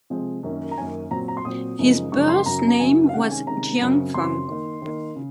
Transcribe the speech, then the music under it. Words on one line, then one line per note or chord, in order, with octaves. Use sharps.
His birth name was Jiang Fang.
C3 F3 G#3 C4
F#2 D#3 A#3 C#4
A#5
F#2 D#3 A#3 C#4 G#5
A#2 F#3 C4 A#5
A#5
C6
A#2 F#3 C4 D#6
F#2 C#3 F3 G#3 D#4
F#2 C#3 F3 G#3 D#4 C#6
C6
F#2 C#3 F#3 A#5
A#5
F#2 C#3 F#3 G#5
F5
C3 D#3 G#3 C#4 F#5
G#5
C3 D#3 G#3 C#4 A#5
F#2 C#3 F#3 C4
F#2 C#3 F#3 C4 C6
D#3 A#3 D#4
D#3 A#3 D#4
C#3